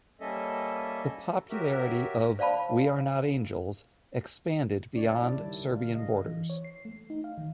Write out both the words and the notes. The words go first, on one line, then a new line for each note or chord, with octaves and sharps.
The popularity of "We Are Not Angels" expanded beyond Serbian borders.
G3 A#3 C#4 A4 D#5 E5
F#3 F#4 G4 A#4 E5
C5 D5 F5 A5 B5
C#3 A3 D4 C#5 D5
D4 E4 D5
D#3 G3
C#3
F5
D#5
E3
C#5
C7
A3
D#4
F5
D#3